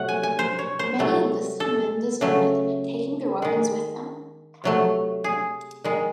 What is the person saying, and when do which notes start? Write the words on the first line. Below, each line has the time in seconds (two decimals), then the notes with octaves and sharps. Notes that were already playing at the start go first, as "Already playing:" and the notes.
Many enlisted men deserted, taking their weapons with them.
Already playing: C3 F#3 A3 F#5
0.09 G#5
0.23 G#5
0.39 C5
0.59 C#5
0.79 C5
0.99 C3 F#3 A3
1.60 A4
2.21 C#3 F#3 A3
3.42 D#3 G#3
4.64 C3 F#3 A3
5.24 G#4
5.84 D#3 G#3